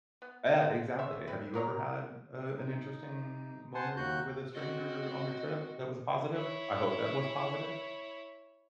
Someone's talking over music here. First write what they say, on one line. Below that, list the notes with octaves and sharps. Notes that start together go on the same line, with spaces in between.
Eh, exactly. Have you ever had, uh, an interesting moment with a stranger on a trip that was positive I hope that was positive?
B3
G#3
C5 C#5 E5
C4 B4
B3 A#4 C#5 A#5
D#4
C5 F#5 G#5 A5 C6
D#2 F#4 F#6 G6
C4 F#4 D#5
E4 C#5